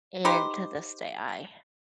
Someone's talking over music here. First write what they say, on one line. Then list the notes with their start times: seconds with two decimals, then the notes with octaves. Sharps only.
And to this day, I
0.25 D#4 G4 B4 C5